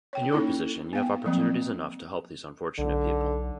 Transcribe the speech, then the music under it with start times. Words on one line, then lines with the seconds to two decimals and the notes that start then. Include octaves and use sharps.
In your position you have opportunities enough to help these unfortunate people.
0.13 C#5 G5
0.32 A#3 C#4 D#4 E4 A4
0.93 B3 F5 G5
1.26 F3 F#3 A#3 C4
2.79 B1 D3